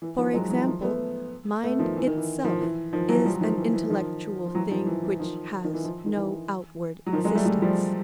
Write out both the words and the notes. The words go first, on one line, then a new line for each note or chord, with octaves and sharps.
For example, mind itself is an intellectual thing which has no outward existence.
E3
D#3 F3
F#3 G#3
E3 F#3
D#3 F3
A3 B3
A3 B3
D#3 F3
E3
D#3
E3
D#3 F3
E3
D#3 F3
E3 F#3
F3 G3
F#3
D#3 F3
E3
E3
D#3 F3
F3
E3 F#3
D#3 F3
E3
E3
D#3 F3
D#3
E3
D#3 F3
D#3
E3
F#3
D#3 F3
F#3 G#3
G3 A3
G3 A3
F3 G3